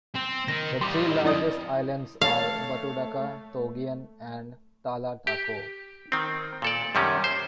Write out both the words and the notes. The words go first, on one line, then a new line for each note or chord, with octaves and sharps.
The three largest islands are Batudaka, Togian, and Talatakoh.
C4
D#3 A#6
G3 D#4 C6 D6
E4 D#5
F2 E4 D5 D#6
A3 A4 C#5 F5 A6
G4
D#3 C4
A#2 A4 D5
F#2 C3 D#3 G3 C#4
C5